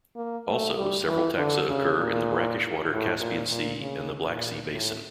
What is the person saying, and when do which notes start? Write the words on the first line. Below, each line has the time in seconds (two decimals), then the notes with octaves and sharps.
Also, several taxa occur in the brackish-water Caspian Sea and the Black Sea basin.
0.16 A#3
0.47 A3
0.77 G3
1.07 E3
1.38 D3
1.69 C#3
1.98 A#2
2.91 A2
3.20 A#2
3.51 A#2
3.81 C#3
4.27 A#2
4.72 A2